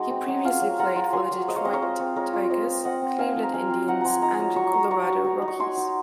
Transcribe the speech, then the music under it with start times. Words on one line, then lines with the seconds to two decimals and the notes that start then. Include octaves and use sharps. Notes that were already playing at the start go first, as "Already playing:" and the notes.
He previously played for the Detroit Tigers, Cleveland Indians, and Colorado Rockies.
Already playing: G#3 D#4 F#4 G#4
0.10 C4
0.28 F#3
0.45 F4 F5 G#5
0.62 F#3
0.79 F4 F#5 A#5
0.96 F4
1.13 F#3 G#5 C6
1.31 F#3
1.48 G#3 C5 D#5
1.56 C#5 F5
1.65 C4 C5 D#5
1.73 A#4 C#5
1.82 F4 C5 D#5
1.99 C4
2.16 G#3 A#4 C#5
2.33 F4
2.50 C4 C5 D#5
2.67 C4
2.85 C4 D#5 F#5
3.02 C4
3.19 D#4 F5 G#5
3.36 F3
3.43 A#5
3.54 F3 F5 G#5
3.70 C4
3.88 D#4 F#5 A#5
4.01 F3 G#5 A#5 C6
4.22 D#4 A#5 C#6
4.39 F#3
4.56 F#3 A#5 C#6
4.73 F#3 A#5 C#6
4.91 F#3 A#5 C#6
5.07 F#3
5.25 F#3
5.42 D#4
5.48 C#6
5.59 D#4 G#5 C6
5.77 D#4